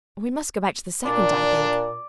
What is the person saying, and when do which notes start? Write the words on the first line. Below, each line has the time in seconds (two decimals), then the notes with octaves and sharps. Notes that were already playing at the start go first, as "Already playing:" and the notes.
'We must go back to the second, I think.
1.05 A#2 D4 D5